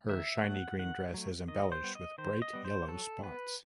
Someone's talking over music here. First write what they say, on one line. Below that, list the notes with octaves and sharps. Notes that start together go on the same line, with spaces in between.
Her shiny green dress is embellished with bright yellow spots.
D#3 E5
F#3 A3 F#5
D#3 F#5
F#3 A3
D#3 D#5
C5
G3 B3
D#5
D#3 C5
D#5
G3 B3
C5
F#3 A4
B3 B4